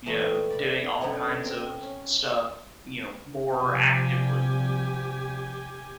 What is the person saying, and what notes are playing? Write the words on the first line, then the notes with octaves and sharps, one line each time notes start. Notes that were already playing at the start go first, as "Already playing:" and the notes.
you know, doing all kinds of stuff, you know, more actively.
A#2 E3 G3 A3 A#3
D5 B5
F#2 B2 D3 B3 E4
C4 G5 A#5
C#4
C3 F3 G3 G4 G#5